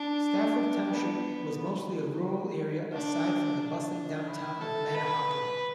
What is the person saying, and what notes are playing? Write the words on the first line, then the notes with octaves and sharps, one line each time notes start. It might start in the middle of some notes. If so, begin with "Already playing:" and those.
Stafford Township was mostly a rural area, aside from the bustling downtown of Manahawkin.
Already playing: D4
B3
D4
D4
E4
A4
B4